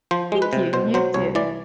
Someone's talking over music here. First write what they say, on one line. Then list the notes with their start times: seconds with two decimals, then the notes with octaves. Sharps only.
Thank you, and you too.
0.11 F3 C5
0.32 G#3
0.42 B4
0.53 C3
0.73 B2 C5
0.94 F#3 C5
1.14 C2 C#5
1.35 E3 D5